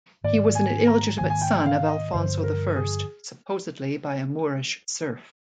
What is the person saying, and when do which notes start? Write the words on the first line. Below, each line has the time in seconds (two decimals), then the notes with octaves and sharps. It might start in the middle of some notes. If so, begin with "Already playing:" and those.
He was an illegitimate son of Alfonso the First, supposedly by a Moorish serf.
0.24 G#2 D#3 A#3 D5
0.55 G#5
0.87 A#5
1.18 G#2 D#3 A#3 G#5
1.30 G#5
1.42 G5
1.66 F5
1.89 D#5
2.13 G2 D3 F3 C5
2.44 A#4
2.76 G#4